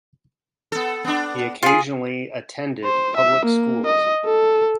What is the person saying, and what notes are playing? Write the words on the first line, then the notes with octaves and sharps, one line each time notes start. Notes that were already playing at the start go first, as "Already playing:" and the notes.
He occasionally attended public schools.
B3 A4
B3 D4
F4 G#4
C5
E5
A#3
D#5
A4